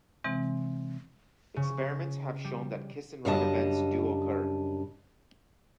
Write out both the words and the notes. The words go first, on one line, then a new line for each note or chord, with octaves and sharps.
Experiments have shown that kiss-and-run events do occur.
C3 E3 G#3 C4
C#3
G3
F#2 C#3 G3 D4 D#5 A5